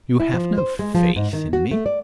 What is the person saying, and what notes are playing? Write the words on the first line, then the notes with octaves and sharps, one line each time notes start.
"You have no faith in me?"
E4
F3
C5
G#3
F3
G#2
D#3
F#4
A3
D5